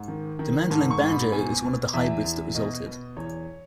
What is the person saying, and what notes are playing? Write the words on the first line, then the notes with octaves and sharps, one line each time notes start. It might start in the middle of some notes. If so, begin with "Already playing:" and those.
The mandolin-banjo is one of the hybrids that resulted.
Already playing: G#2
D#3
D#3
G#2 A5
C#6
G#2
B5
B2 G#5
B2
E2 E5
E2
B2 D#5
B2
E2 C#5